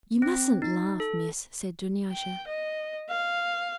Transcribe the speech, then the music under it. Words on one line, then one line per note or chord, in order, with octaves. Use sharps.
"You mustn't laugh, Miss," said Dunyasha.
C4
D#4
A4
G5
D#5
F5